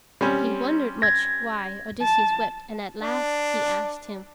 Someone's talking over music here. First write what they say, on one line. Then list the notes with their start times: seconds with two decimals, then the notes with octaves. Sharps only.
He wondered much why Odysseus wept, and at last he asked him.
0.21 G3 C4 C#4
1.02 G#6 A#6
2.00 A5
3.01 D4